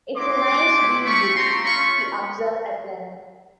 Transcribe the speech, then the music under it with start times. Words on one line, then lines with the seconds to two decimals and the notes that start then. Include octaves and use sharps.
"It's a nice wee book," he observed at length.
0.16 G#3 B3 E4 C6 D6
0.45 G#3 B3 D4 F#4
0.75 B3 E4 G4
1.04 A3 C#4 F4 B5 C#6
1.34 A3 C4 F4 A#5 C6
1.63 A3 C#4 F4 B5 C#6